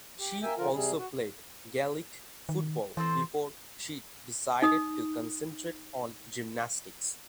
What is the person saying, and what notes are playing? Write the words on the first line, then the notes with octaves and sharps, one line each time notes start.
She also played Gaelic football before she decided to concentrate on gymnastics.
G4
A#3 E5 G5 G#5
D3 F3 F4 A#4
C3 G3 G#4
F#4
D#3
E3 C4 A4 C5
D#4 D#6